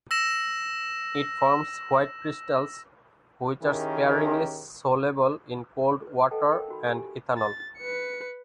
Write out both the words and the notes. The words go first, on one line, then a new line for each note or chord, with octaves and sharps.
It forms white crystals, which are sparingly soluble in cold water and ethanol.
E6 A#6 E7
D#3 C#4 E4 G4 G#4 A#4
B4
A4 B4 D#5 F#5 G5 A5
A#4 F5 G5
D#4 F#4 B5
G4 G#5
A6
B4 C#7